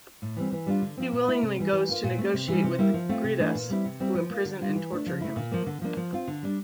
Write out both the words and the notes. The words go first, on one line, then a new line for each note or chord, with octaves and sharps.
He willingly goes to negotiate with the Griddas, who imprison and torture him.
A2
E3 G3 C4
E3
G3 D4 F4
D3
F3 C4
A#2
A3 E4
C3
E3 G3
E3
A#3 F4
A#2
A3 C4
C3
E3 G3
C3
G3 A#3 E4
F3
A3 C4 F4
C3
E3 A3 D4
A#2
G3 C4 E4
C3
G3 C4 E4
F3
A#3 F4
D3
G3 D4 F4
E3
A3 D4
F3
A3 E4
A#2
F3 A#3
D3
F3 A#3 D4
F3
C4 F4
D3
G3 D4